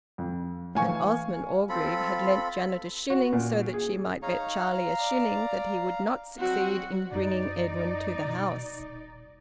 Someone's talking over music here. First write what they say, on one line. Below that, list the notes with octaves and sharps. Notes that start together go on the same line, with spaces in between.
And Osmond Orgreave had lent Janet a shilling so that she might bet Charlie a shilling that he would not succeed in bringing Edwin to the house.
F2
A2 E3 F5 G#5 C#6
C4 F4 A4 B5
F#4
A#2
G#4
D#4 C#5 F5 A#5
D5
F#3 G3 C4 F#4
F#2 D#4 D5
B2
D#1